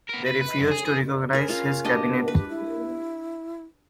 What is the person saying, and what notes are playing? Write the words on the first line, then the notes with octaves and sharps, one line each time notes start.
They refused to recognize his cabinet.
B3 A#4
B4
B4
F#2
G#4
G#4
G#4 A#4
C#4 F4 F5
D4 G4 D#5
G4 B4
E4